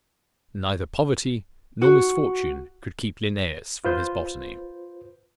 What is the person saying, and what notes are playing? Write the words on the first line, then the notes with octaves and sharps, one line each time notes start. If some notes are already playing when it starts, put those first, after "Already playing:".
Neither poverty nor misfortune could keep Linnaeus from his botany.
F#4
F4 B4 C5 G6